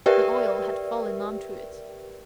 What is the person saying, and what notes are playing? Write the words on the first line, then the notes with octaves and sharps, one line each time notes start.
The oil had fallen on to it.
G4 A#4 B4 D5 E5 G5